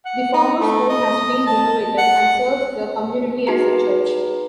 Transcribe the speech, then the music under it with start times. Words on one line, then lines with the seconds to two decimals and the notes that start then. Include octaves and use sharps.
The former school has been renovated and serves the community as a church.
0.05 F#5
0.33 D#4
0.61 A3
0.90 D#5
1.47 A5
1.98 F#5
3.47 D#4 F#4 G#4 B4 A#5